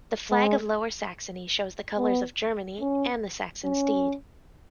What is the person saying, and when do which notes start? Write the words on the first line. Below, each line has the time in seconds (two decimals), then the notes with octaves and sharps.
The flag of Lower Saxony shows the colors of Germany and the Saxon Steed.
0.30 G#3
1.98 B3
2.80 C#4
3.65 C#4